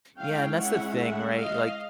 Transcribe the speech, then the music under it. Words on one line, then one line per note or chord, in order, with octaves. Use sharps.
Yeah, and that's the thing, right? Like,
G#3 C#4 E4 F5 G5
E5 F#5
E5 F#5
D#5 F5